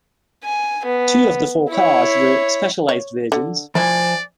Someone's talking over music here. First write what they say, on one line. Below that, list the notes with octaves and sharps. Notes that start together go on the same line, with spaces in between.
Two of the four cars were specialized versions.
G#5
B3
E4 C#5
C#5
D3
F3 E4 C5 D5 G#5